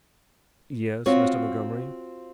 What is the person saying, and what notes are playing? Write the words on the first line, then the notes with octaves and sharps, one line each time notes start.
"Yes, Mr. Montgomery?"
C4 F4 F#4 C#5